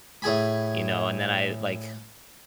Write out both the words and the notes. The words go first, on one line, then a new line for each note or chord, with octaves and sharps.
you know, and then I, like
A2 G#4 G#5 B5